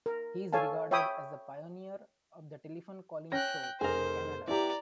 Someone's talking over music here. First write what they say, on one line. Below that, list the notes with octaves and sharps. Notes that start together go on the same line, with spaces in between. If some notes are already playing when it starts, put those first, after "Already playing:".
He is regarded as a pioneer of the telephone call-in show in Canada.
A#4
A4 C#5 F5 G#5 A5
C#5 E5 G5 B5 D#6
C#4 G5 F#6 A#6
F1 G#4 A#4 C5
B3 E4 G4 D5 A#5